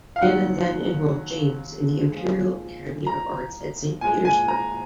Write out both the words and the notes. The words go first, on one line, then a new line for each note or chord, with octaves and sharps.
Anna then enrolled James in the Imperial Academy of Arts at Saint Petersburg.
F5
D#2 D#3 F#3 F#5
A#2 F3 G#3
A#5
A#2 G#3 G#5
G#5
A#5